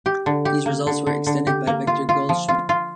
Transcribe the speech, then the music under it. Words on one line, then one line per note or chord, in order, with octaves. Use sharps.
These results were extended by Victor Goldschmidt.
G4
D3
G4
A#3
D3
D3
D3
G4
A#3
F4
F4
F3
F4
F4